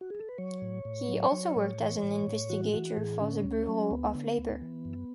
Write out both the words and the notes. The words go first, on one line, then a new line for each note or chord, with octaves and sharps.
He also worked as an investigator for the Bureau of Labor.
F#4
G#4
A4
B4
F#3 C#5
A2
A2
F#3
F#3
A2
E3
A2
A2
E3 F#4
E3 F#4
A2 G#4
D3 C#4
D2
F#3
D2 B3
D3
D2
E3
F#2